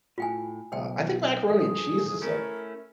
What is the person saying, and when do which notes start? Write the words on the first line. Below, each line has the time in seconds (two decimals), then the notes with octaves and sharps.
Uh, I think macaroni and cheese is a
0.18 A2 F4 G5 G#5
0.72 B1 C5 G5
1.49 G2 F3 G#4 A4
2.22 A3 C#4 E4 A#4